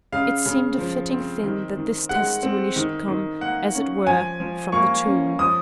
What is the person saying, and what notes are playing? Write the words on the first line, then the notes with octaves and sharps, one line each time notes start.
It seemed a fitting thing that this testimony should come, as it were, from the tomb.
C#3 F5
C#3
F3
C4
D#3
D#3
G#3 F#5
C4
D#3
D#3
A#3 F#5
C#4
F3 G#5
F3
A#3 C#6
C#4
F3 D#6